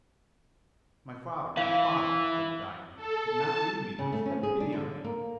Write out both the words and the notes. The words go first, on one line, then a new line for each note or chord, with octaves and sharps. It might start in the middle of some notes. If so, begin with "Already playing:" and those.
"My father, my father," said the dying man, "do not leave me thus: have pity on me!"
E3 E4 F5
A4
A5
C#3
A3
C#4
G#4
D4
D3
A#3